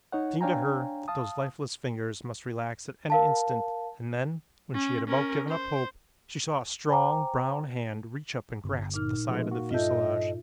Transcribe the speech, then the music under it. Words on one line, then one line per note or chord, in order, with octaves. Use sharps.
It seemed to her that those lifeless fingers must relax at any instant and then, when she had about given up hope, she saw a strong brown hand reach up and grasp the side of the fuselage.
D#4 C#5 F#5
D4 C#5 F5 G5 G#5 A#5
F5 A5 D#6
A#4 F5 A5
C#4
C#4 A#4
C5
C5 G5 G#5 A#5 D6
G1
A#2 D#4 F6
F3 G#3 A3
A#3 F#4
G2 F4 A4 D#5 E5 G6